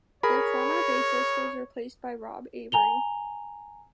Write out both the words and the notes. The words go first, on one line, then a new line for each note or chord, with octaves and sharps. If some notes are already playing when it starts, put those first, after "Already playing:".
Their former bassist was replaced by Rob Avery.
G#4 A#4 C#5 B5
G#5 A#5 F7 G7